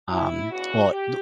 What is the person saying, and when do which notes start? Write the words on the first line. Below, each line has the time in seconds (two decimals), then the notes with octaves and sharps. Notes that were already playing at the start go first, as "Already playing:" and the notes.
Um, well, D
0.12 E4
0.51 C#3 E3 B3 D4 F#4
0.91 G4